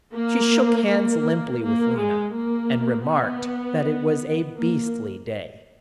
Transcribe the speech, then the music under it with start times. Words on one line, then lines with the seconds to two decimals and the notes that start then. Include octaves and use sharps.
She shook hands limply with Lena, and remarked that it was a beastly day.
0.13 A#3
0.86 A#3
1.60 A#3
1.98 G#3
2.34 A#3
3.09 B3
4.56 A#3